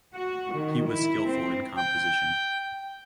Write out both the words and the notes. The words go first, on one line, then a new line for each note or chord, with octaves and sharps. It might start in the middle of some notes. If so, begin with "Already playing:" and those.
He was skillful in composition.
F#4
D#3
E4
C4
G5